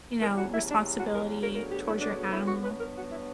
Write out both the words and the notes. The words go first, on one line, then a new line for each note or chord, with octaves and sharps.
you know, responsibility towards your animal,
E2 C#3 G3 A#4
F#4
E4
D4
F#4
A#4
D2 C#3 F#3 B3 A#4
A#4
G4
E4
D4
E4
F#4
G2 F#3 B3 B4
A#4
F#4
E4